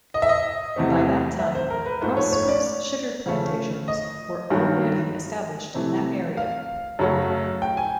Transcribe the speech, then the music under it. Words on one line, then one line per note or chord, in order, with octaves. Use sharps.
By that time, prosperous sugar plantations were already established in that area.
D#5
E5
D#5
E2 C3 E3 A3 C4
E5
C5
A#4
B4
G#2 F3 A3 C5
C#5
C#5
D5
C#3 F3 A3 C#4
D#5
G2 D#3 F#3
C3 E3 A3 C4
F5
F#2 C#3 F#3 A3
G5
G#5